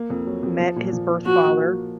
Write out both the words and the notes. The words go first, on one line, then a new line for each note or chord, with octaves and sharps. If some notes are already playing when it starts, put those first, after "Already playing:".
met his birth father
Already playing: A#3
F2
F#3
F2
F3
A#2
F3
F3
F3 F#4
A#3
A#3